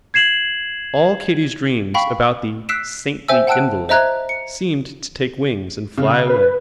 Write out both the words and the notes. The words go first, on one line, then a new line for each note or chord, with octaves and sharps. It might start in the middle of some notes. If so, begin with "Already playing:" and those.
All Katy's dreams about the "saintly invalid" seemed to take wings and fly away.
G#6 C7 E7 F#7
F5 G5 B5 C#6 B6
E6 F#6 B6 C7 D7 E7
C5 E5 G5 G#5 E6
F#5 G5 A5 E6 F#6 D7
C5 D#5 E5 A#5 F#6 G#6
C#7
C#3
B4